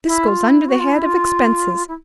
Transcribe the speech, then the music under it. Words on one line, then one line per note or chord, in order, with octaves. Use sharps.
This goes under the head of expenses.
E4
F4
E4
F#4
F4
E4
F4
E4